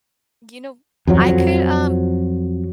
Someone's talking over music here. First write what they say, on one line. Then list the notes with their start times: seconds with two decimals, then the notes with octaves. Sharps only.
You know, I could, um
1.07 F2 F3 F#3